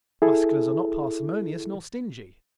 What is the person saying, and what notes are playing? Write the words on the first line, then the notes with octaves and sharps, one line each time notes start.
Musculars are not parsimonious nor stingy.
E4 G#4 A4